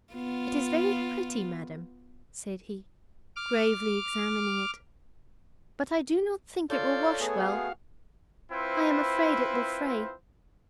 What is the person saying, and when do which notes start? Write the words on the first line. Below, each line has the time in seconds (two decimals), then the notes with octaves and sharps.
"It is very pretty, madam," said he, gravely examining it; "but I do not think it will wash well; I am afraid it will fray."
0.14 B3 F4
3.36 D6 F6
6.70 F4 A4 C#5 D5 G6
7.20 A3 B3 G#4
7.40 F#4 F5
8.51 C4 E4 F4 B4 C5